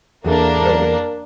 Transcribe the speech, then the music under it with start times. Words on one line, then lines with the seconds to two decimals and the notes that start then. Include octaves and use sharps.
you know, with,
0.24 E2 A#3 D4 A4 A#4